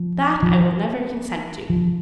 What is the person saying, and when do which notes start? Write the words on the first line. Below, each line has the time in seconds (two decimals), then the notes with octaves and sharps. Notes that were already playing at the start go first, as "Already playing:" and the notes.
THAT I will never consent to.
Already playing: F3
0.43 F3
1.70 F3